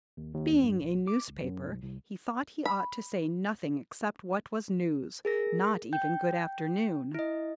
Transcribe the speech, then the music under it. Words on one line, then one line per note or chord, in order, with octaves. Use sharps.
Being a newspaper, he thought he ought to say nothing except what was news--not even "Good afternoon!"
D#2
D#2
E2
G2
A#1
D6
C#2
F#2
B1
C2
B5
G#4 A#4 A#6
G5 G6
E4 D#5